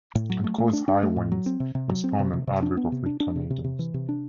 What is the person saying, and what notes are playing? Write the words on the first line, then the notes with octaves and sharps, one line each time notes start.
It caused high winds and spawned an outbreak of weak tornadoes.
A2
F#3
A3
A3
D4
D4
A3
A2
F#3
C4
C3
C3
F#3
C4
C3
C3
C3
D4
B3
C3
D4
D4
C3
C3
C3
E3
C3
D4